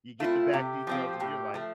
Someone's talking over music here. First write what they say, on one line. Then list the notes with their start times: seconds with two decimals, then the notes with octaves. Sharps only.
you get the back details and you're like,
0.20 A3 C4 E4 F4
0.54 C3 G4
0.87 F3 C4 F4
1.20 A2 G4
1.54 F3 A3